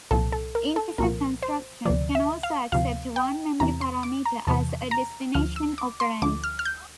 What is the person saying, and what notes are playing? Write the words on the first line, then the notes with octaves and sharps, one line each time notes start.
Integer instructions can also accept one memory parameter as a destination operand.
C2 A#2 F3 A4
A4
A#4
A4
C2 A#2 F3 A#4
C5
D2 C3 F3 D5
E5
F5
D2 C3 F3 F5
G5
E2 C3 E3 A#5
C6
D6
A#5
E2 C3 E3 A5
A#5
D2 D3 F3 F6
E6
D6
C6
D2 D3 F3 D6
F6
F6
G6